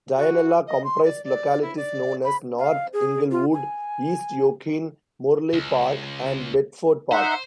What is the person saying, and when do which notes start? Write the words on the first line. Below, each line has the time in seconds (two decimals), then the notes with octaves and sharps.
Dianella comprised localities known as North Inglewood, East Yokine, Morley Park and Bedford Park.
0.16 F#4
0.67 D#5
0.84 C6
1.04 D5
1.24 D5
1.61 E4
1.76 D5
2.24 B5
2.59 F5
2.93 G#4
3.31 F4
3.54 G#5
5.53 C#2
7.12 D#4 C5 E5 F#5